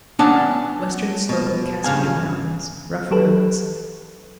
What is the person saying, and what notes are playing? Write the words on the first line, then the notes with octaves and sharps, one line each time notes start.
Western slope of Cascade Mountains.--Rough roads.
B3 C#4 D4 F#5 G#5 A5
B2
G2 C#3 F5 G#5
F#3 G4 A4 B4